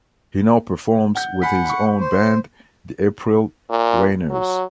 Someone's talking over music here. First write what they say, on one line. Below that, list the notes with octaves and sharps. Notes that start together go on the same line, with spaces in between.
He now performs with his own band The April Rainers.
F#5 G6
F#5 G#5 B5 B6
B5 C#6
C5
A#2
F#3